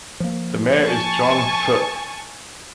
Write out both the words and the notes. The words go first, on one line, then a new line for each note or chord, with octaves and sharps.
The mayor is John Ph.
F3 A#3
G#5 A5 C#6